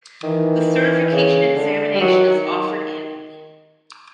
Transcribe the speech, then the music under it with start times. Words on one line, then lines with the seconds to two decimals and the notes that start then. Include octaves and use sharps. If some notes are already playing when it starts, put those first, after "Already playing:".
The certification examination is offered annually.
0.23 D#3 E3
1.12 C#3
1.56 D3
1.94 G3
2.00 D#3 F#3
2.08 E3
2.18 D#3